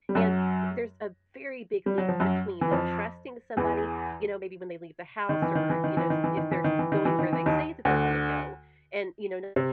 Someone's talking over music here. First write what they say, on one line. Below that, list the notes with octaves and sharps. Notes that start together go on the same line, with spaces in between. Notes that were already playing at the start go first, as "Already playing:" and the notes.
and there's a very big leap between trusting somebody, you know, maybe when they leave the house or, you know, s if there's going where they say that they're gonna go, and, you know,
G3
F#2 F#3
G3
F#3
F3
F#2 F#3
E3
F2 F3
E2 E3
D#3
E3
D#3
E3
D#3
E3
D#3
E3
D#3
E3
D#3
E3
D#3
E3
D#3
E3
D#2 D#3
D2 D3
C3